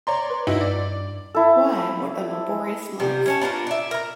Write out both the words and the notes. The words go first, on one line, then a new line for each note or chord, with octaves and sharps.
Why, what a laborious life!
C#5 D5 A#5 C6
B4
G2 D#4 E4 F#4
D5
E4 A4
C3 G3 B3
C#4 C#5 A5
B3 D4 F4 A#4
D5 E5
A#4 A#5